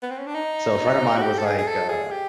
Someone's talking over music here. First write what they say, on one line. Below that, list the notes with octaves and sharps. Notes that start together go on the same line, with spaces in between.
so, a friend of mine was, like, uh
B3
C4
C#4
D4
D#4
F#4
G4
A4
G#4
G#4
A4
G#4
G4